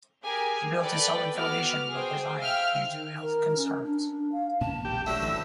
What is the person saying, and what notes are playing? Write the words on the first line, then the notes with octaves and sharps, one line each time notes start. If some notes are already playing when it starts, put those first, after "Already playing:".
He built a solid foundation but resigned due to health concerns.
G4 G#4 A#4 G#5
A4 B4 D5 G5 B5
B3 F#4 B4 D6 F6
G#4 C5 G5
E5 F5 G5 F6
D#3
A#4
C#4
D4
F5
A#2 A#3 C#4 A5
E1 B1 C#3 G4
D3 F#3 A3 E5
A1 D3 E3